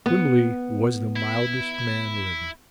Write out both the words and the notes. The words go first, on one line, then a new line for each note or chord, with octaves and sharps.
Wimley was the mildest man living.
B3
E4